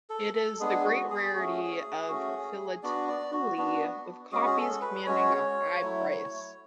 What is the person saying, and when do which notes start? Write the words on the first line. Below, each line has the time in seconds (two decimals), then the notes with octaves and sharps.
It is the great rarity of philately with copies commanding a high price.
0.10 A4
0.35 A4
0.60 G#3 B3 D4 G#4
0.85 F#4
1.10 G#4
1.34 A3 C#4 F#4
2.08 A3 C#4 F#4
2.83 B3 D4 F#4 D5
3.08 D5
3.33 F#4
3.58 B3 D4 F#4
4.32 G#3 C#4 F#4 G#4
4.47 G#4
4.57 A4
4.81 B4
5.06 G#3 C#4 F#4 C#5
5.81 F#3 A3 E4